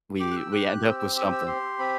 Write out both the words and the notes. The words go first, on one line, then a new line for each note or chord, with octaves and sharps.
we we end up with something.
G4 D6
F#6
E6
G4 F#6
F#6
C4 E6
E6
G4 E6
E6
G4 C6
C4 B5